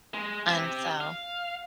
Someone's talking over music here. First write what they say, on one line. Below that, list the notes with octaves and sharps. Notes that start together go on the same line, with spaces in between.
And so
G#3
C4 G4
F5